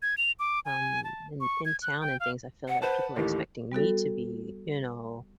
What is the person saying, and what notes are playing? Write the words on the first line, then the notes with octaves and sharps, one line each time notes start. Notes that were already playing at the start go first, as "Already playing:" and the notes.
um, in in town and things I feel like people are expecting me to be, you know,
G#6
F7
D6
G#5
A5
C#6
G#6
F#6
G5
F5
F#5
B4 C5 F#5 A5
A1 D#2 A2 G4
G3 B3 F#4 A4